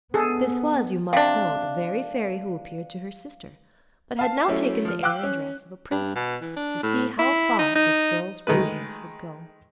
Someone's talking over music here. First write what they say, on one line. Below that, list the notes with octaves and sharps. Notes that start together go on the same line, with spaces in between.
This was, you must know, the very Fairy who appeared to her sister, but had now taken the air and dress of a princess, to see how far this girl's rudeness would go.
B3 G#4 A4
C3 D4 F5
F5 A5 C7
F#3 A3 C#4 E4
F3 F6
F5 G5 D6 E6 F#6
C#4
G2
B2
E3
D4
A2
E4
D#4
D#4
D#3 G#3 A3 B4